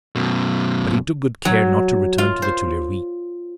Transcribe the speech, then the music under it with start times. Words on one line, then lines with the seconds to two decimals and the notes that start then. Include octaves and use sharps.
But he took good care not to return to the Tuileries.
0.15 F#2 B2
1.45 F#3
2.18 F4
2.42 C5